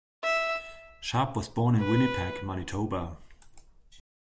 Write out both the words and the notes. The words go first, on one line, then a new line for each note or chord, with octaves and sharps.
Sharp was born in Winnipeg, Manitoba.
E5
B4